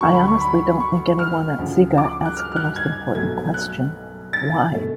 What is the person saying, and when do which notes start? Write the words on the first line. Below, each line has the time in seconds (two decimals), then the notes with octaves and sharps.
I honestly don't think anyone at Sega asked the most important question: 'Why?
0.01 D2 D3 F#3 C#6
0.14 B5
0.28 C#6
0.41 B5
0.80 C#6
1.19 F6
1.58 D2 C#3 F3
1.98 D6
2.26 F#6
2.37 F6
2.52 F6
2.56 F#6
2.76 G#6
3.15 B1 B2 F#3 A3 G#6
3.54 F#6
4.33 A6
4.72 B2 A3